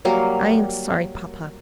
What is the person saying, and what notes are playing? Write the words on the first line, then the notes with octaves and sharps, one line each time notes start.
'I am sorry, papa.
F#3 G3 A#3 F5